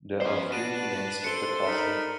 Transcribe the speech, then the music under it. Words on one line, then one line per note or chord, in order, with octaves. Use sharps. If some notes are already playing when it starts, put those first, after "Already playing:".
There are few remains of the castle.
F3 B3 C#4 C5
D4 F#4 B4 A5 D#7
A4 C5 C#7 G7
D#4 A#4 B5